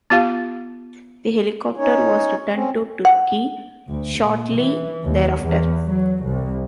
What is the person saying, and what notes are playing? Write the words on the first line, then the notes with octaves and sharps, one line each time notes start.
The helicopter was returned to Turkey shortly thereafter.
B3 F4 G4 F5
C#4 D#4 C#5
C4 C#4
F#5
D2
A#2
E3
D#2
E2
F#3
C2